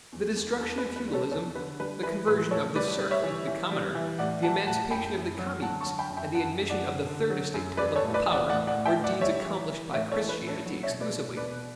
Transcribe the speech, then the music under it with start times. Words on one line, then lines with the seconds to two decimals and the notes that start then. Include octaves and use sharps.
The destruction of feudalism, the conversion of the serf into the commoner, the emancipation of the communes, and the admission of the Third Estate to political power, were deeds accomplished by Christianity exclusively.
0.12 E2
0.36 E2
0.60 E2 A4
0.78 B4
0.84 E2
0.96 B4
1.08 G3
1.13 A4 C#5
1.31 E2 A4 C#5
1.56 D3 B4
1.80 G3 B4
2.03 E3 B4
2.27 A2 B4
2.51 A2 A4 C#5
2.76 G3 B4 D5
2.99 G3
3.11 C#5 E5
3.23 E3
3.47 E3
3.71 G3
3.95 E3
4.19 A2 D5 F#5
4.43 G3 F#5 A5
4.67 A2 F#5 A5
4.91 F#2 G5 B5
5.14 F#2
5.39 F#3
5.62 D3 F#5 A5
5.81 A5 C#6
5.86 F#3
5.99 G5 B5
6.11 F#2
6.16 E5 G5
6.34 F#2 F#5 A5
6.58 F#2
6.70 D5 F#5
6.82 D3
7.06 D3
7.30 F#3
7.54 F#2
7.77 G3 B4 D5
7.96 A4 C#5
8.02 A2
8.14 B4 D5
8.26 E3
8.32 D5 F#5
8.50 A2 D5 F#5
8.67 D5 F#5
8.74 A2
8.86 E5 G5
8.98 A2
9.04 D5 F#5
9.21 G3 C#5 E5
9.46 E3
9.70 E3
9.93 A2 C#5 E5
10.12 A4 C#5
10.17 E3
10.29 B4
10.41 A2
10.47 A4
10.66 F#3
10.83 C#5 E5
10.89 B2
11.01 B4 D5
11.13 B2
11.37 B2 B4 D5